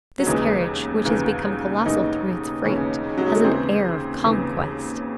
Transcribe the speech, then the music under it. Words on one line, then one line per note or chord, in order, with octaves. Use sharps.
This carriage which has become colossal through its freight, has an air of conquest.
F#3
E1 D#2 C#3 E3 G#3
E1 D#2 C#3 E3
E1 D#2 C#3 E3 D#4
E1 D#2 C#3 E3 C#4
F#3
G#3
A3
D#2 C#3 E3 C4
D#2 C#3 E3